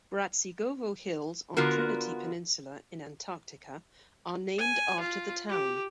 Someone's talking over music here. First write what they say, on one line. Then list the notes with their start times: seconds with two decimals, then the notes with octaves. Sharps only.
Bratsigovo Hills on Trinity Peninsula in Antarctica are named after the town.
1.57 D3 B3 F4 F#4 A#4
4.58 G#5
5.00 F4
5.49 G4